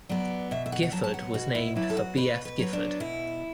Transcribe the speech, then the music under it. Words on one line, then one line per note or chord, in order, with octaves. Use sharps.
Gifford was named for B. F. Gifford.
F#3 B3 D5
B2 E5
E5
F#5
F#5
F#3 A5
B3
A5
F#5
B2 F#4
E4
F#3 B3 E4
A4
F#4
B2 B4
B4
F#3 B3
D4
B2 E4